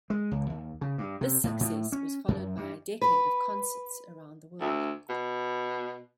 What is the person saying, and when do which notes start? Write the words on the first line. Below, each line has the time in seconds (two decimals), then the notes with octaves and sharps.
This success was followed by a decade of concerts around the world.
0.10 G#3
0.31 C#2
0.50 D#2
0.81 C#3
0.98 G2
1.21 C3
1.44 A2
1.61 A2
1.92 C#4
2.28 F#2
2.57 G2
3.01 B4
4.60 D2
5.09 B2